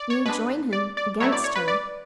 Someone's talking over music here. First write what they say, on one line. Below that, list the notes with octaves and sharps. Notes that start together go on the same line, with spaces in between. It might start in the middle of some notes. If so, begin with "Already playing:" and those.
And you join him against her.
Already playing: D5
C#5
B2 G#3 D4 B4
D5
D5
B2 F#3 A3 E4 C#5
D5
C#5
B4
D5